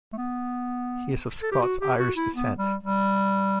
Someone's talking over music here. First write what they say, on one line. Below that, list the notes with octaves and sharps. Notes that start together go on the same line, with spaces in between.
He is of Scots-Irish descent.
A3
B3
A4
G4
F#4
G4
F#4
E4
B3
G3
G3